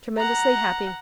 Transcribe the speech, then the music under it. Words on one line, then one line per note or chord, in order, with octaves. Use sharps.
'Tremendously happy.
F#5 A#5